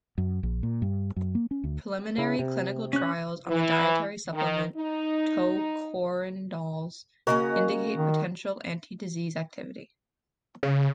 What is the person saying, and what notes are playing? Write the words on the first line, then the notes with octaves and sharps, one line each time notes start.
Preliminary clinical trials on dietary supplement tocotrienols indicate potential for anti-disease activity.
F#2
A#1
A#2
G2
F#2
A#3
C#4
D2
C#3 E4
C3
C#4 F#6
E3
D#3
D#4
C#3 A#3 C#4 F#4 A#4 D#5
D#3
C#3